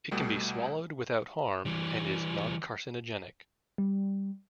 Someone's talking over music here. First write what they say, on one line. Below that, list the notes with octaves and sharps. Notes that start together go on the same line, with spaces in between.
It can be swallowed without harm and is noncarcinogenic.
C2 B2 G3 A3
E3 G3
G3